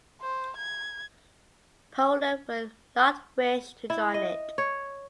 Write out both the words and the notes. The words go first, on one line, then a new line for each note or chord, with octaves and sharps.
Poland will not wish to join it.
C5
G#6
E4
D#5
C#5